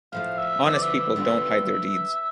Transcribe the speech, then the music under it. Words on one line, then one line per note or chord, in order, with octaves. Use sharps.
Honest people don’t hide their deeds.
A2 F3 A3 F5
E5
D3 F3 B3 E5
D5
E5
D3 G3 B3 F4